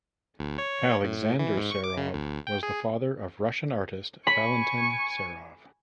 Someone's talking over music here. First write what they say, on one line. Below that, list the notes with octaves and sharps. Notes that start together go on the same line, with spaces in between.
Alexander Serov was the father of Russian artist Valentin Serov.
D2
C#5
A2
E3
G#2
C#6
D6
C#3
D2
G5
G#4
G#5 B5 C#6